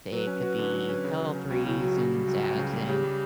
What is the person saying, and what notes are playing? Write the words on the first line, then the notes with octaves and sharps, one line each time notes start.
It could be health reasons as in
F#3 B4
C#4
F#4
D3
F#3
C#4
C#3
F#3
C#4
C#2 F#4
C#3 E4
F#3 F#4
C#3
G3
C#2
C#2
C#3
G3
C#3 G4
G3